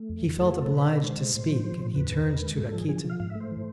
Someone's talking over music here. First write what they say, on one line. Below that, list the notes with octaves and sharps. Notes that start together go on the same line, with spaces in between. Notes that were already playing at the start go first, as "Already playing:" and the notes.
He felt obliged to speak and he turned to Rakitin.
Already playing: A3
F2
F2
A3 A4
G#4
A3 A4
B2 B4
B2
G#3 C5
B2
A2
F3
F3
A2
E2 B4
E2
E2
G#3
G#2 A4
A4
F3 G#4
F3 G#4
F3
F5
G#2 F5
E5
A3
C5
E3